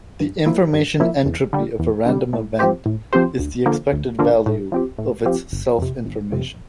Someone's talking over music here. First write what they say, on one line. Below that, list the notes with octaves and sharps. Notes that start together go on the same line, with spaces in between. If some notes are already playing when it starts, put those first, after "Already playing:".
The information entropy of a random event is the expected value of its self-information.
G2
F3 A#3 E4
G2
F3 A#3 E4
E2
D3 G3
E2
D3 G3
A2
F3 C4 G4 C5
A2
F3 C4 G4 C5
D2
D3 F3 A#3
D2
D3 F3 A#3
A2
F3 C4 G4
A2
F3 C4 G4
G1
F2 C3
G1
F2 C3